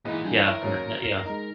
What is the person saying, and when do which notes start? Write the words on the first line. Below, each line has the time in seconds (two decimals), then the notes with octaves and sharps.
yeah, and that that yeah.
0.05 A#2 E3 G#3 B3 D#4
0.25 G3 D4 F4 G#4 G5
0.45 E4 A#4 C#5 C6
0.62 D#2 F#3 C#4
1.05 F2 C7
1.26 G#3 D#4 A#5